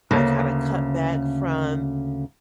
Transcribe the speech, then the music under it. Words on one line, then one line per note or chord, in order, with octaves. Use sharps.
I kinda cut back from
D2 C#3 A#3